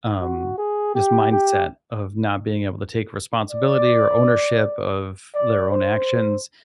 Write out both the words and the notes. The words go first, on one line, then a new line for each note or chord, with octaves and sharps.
um, this mindset of not being able to take responsibility or ownership of their own actions,
F#4
G#4
G4
G4
D5
D5
C5